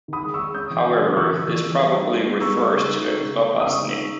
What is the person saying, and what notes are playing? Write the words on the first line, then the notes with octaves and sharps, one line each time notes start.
However, this probably refers to a klobasnek.
D#3 B5 D#6
G#3
C#6 E6
G#3
C#4 D#6 G6
E3
C#4
E3
E3 C#6 E6
E3
E3
E3
G3
D#4
G3
B3
G3 C#6 E6
G3
C#3
D#4
D#4
C#3
B3
B3
D#6
C#3 C#6 E6
D#4
D#4